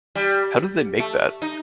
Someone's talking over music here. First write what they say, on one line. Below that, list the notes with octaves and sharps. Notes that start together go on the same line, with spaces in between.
How did they make that?
G3
A3
D#4